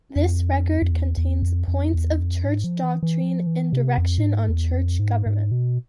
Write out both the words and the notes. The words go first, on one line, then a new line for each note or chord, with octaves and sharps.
This record contains points of church doctrine and direction on church government.
F2
F2
E2
E2
F2
F2
E2
F2
G#2
F3
E3
E3
F3
E3
C3
F2
A2
G#2
E2
F2
G#2
G#2
B2